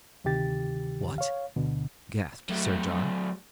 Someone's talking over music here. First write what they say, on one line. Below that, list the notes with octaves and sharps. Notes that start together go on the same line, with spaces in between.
"What!" gasped Sir John.
D2 C3 D#3 G4 A6
C#5 F5
D2 B2 D3
F#3 A3